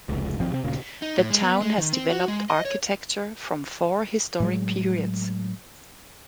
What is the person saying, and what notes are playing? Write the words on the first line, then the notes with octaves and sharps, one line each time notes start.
The town has developed architecture from four historic periods.
F1 C#2
D1 G#1 F3 C4
C3 C4
D#1 A#2 C#3 A#3
D#4
A2
G#3
B3
G#3
D#3
C4
F#4
G#3
D#5
C#5
A2 F#3 G#3